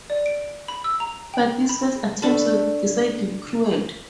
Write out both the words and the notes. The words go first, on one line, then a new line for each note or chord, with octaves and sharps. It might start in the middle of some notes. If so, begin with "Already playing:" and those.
But these first attempts were decidedly crude.
D5
D7
B5
E6
A#5
G5
B5
A3 D4 A5 B5